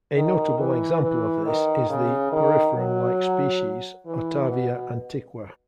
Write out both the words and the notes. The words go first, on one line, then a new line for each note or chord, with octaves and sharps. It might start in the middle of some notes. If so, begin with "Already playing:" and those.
A notable example of this is the poriferan-like species "Otavia antiqua".
D#3
E3
E3
D#3
C#3
D#3
F#3
E3
B2